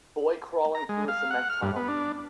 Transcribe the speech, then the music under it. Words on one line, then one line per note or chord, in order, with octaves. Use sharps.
Boy crawling through a cement tunnel.
A#5
G#3
F5
F#5
F6
G2
B3
D4